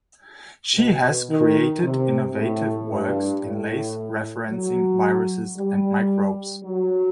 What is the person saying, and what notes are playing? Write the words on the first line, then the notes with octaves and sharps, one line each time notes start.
She has created innovative works in lace referencing viruses and microbes.
B2
D#3
C3
A2
G2
A2
F#3
G3
F#3